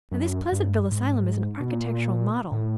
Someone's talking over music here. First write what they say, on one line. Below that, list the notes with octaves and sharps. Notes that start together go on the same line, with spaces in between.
And this Pleasantville asylum is an architectural model.
F#2
G2
G#2
B2
A#2
A2